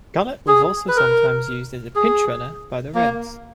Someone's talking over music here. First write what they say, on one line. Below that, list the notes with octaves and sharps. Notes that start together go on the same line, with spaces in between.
Gullett was also sometimes used as a pinch runner by the Reds.
G#4
B4
A#4
G#4
A#3